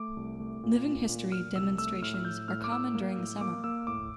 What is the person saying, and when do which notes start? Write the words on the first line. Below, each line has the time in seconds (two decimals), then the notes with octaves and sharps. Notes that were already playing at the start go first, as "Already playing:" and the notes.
Living history demonstrations are common during the summer.
Already playing: A3 D6
0.17 C2
0.40 A3
0.63 A#2
0.86 A#2
1.09 A#2
1.32 A#2 F6
1.56 C2 E6
1.78 A3 E6
2.02 A2 F6
2.14 F6
2.25 A2 G6
2.48 A2 F6
2.64 D6
2.72 A2 E6
2.95 A#3
3.18 A2
3.41 A#3 D6
3.64 A#3 E6
3.87 A2 D6